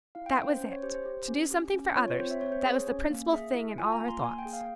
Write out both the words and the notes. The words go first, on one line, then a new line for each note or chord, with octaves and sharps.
That was it--to do something for others, that was the principal thing in all her thoughts.
E4 F5
G5
C#4 G5
C5
C#4
C#5
G4 C5
C5
G4
C#4
G4
C#4
F4 C#5
C#5
C4 C5
E5
C4 C#5
C5
G#4 C#5
C#4
A#3
G#4 E5
E4
F4 G#5
A#5
A#3
C6
A#3 G#5
G5
G#4
F5